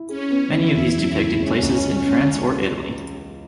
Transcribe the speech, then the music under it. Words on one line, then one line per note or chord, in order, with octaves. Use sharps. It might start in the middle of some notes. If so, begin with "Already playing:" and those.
Many of these depicted places in France or Italy.
Already playing: E4
C#4 G#4
B3
E3 E4
E2
F#2 E4
C#3
G#3 C#4
C#2